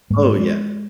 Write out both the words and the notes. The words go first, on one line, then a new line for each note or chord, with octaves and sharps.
Oh yeah.
G#2 G3 G#3 A#3
G#3